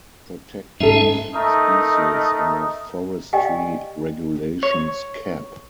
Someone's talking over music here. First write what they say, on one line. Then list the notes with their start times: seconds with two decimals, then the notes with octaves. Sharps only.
Protected Species under Forestry Regulations Cap.
0.80 G#2 G#3 C#4 A4 E5
1.35 A3 D#4 A#4 D#5
3.33 G4 D5 D#5 F5 G5 G#5
4.63 C#5